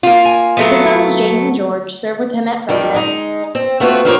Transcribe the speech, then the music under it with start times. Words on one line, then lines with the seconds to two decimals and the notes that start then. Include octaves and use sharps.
His sons James and George served with him at Frontenac.
0.03 A#3 F4
0.25 G#5
0.57 F#3 A3 B3
2.69 F2 D#3 G3
2.94 G#3 D#4
3.55 C4
3.80 A3 B3 C4 F4 F#4
4.05 F3 C4 E4 G4 A#4 C#5